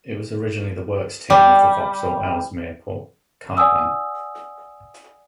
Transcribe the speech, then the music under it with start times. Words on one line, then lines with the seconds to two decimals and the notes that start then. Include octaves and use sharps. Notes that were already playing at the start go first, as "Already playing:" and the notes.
It was originally the works team of the Vauxhall Ellesmere Port Car Plant.
1.30 G3
3.57 D5 F#5 G#5 D#6 E6